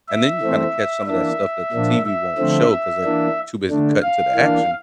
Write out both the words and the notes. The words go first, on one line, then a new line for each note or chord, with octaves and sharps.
and then you kind of catch some of that stuff that the TV won't show 'cause they're too busy cutting to the action
E5
E3 A3 C4
E3 A#3 D4 E5
A#2 F3 A#3 D4
E5
D3 F3 A3 C4
E5
E3 A#3 D4
D3 A3 D4
F5
E3 A#3 D4